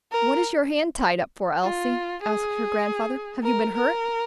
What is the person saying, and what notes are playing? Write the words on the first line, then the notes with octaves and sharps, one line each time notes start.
"What is your hand tied up for, Elsie?" asked her grandfather; "have you been hurt?"
A#4
F4
G#4
A#4
A#4